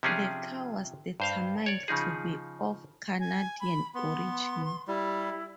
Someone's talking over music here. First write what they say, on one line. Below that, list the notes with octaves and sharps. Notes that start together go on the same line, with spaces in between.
The cow was determined to be of Canadian origin.
C3 F3 C#4 D4 F4 G#4
G2 C5 F5
C#5 D5
C#3 F3 D#4 G#4
G#5
B5
B3 C6
G3 E4